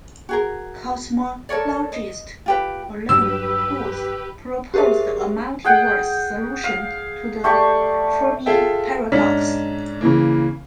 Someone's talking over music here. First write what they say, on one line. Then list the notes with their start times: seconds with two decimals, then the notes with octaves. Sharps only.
Cosmologist Alan Guth proposed a multi-verse solution to the Fermi paradox.
0.29 F#4 G#4 A#4
1.49 A4 A#4 C#5 D5
1.92 D#5
2.46 F4 G4 B4
3.09 G2 F#3 G4 B4 E6
4.74 G4 G#4 A#4 C5 E5
5.64 G#4 F#5 G5
6.64 F5
7.44 A3 G4 D5 C#6
8.46 F4 G#4 A4 E5 G5
9.12 G#2 C#4 D4 F6 B6
10.01 C#3 E3 A#3